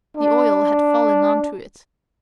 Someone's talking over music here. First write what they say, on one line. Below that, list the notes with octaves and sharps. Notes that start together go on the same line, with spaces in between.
The oil had fallen on to it.
D4